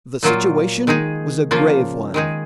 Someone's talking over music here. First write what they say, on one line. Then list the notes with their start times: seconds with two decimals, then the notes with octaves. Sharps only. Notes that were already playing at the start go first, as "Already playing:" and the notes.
The situation was a grave one.
0.23 A#2 F#3 A#3 F4
0.87 D#3 G#3 D#4 G#4
1.51 C#3 F3 A#3 F4
2.14 D#3 G#3 D#4 G#4